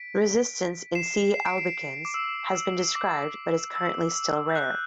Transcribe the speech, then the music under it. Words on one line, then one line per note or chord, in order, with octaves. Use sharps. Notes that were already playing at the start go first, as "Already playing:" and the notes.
Resistance in "C. albicans" has been described, but is currently still rare.
Already playing: B6 D7
C7 E7
C7
D7
C7
D6
E6
E6
D6
E6
G6
F#6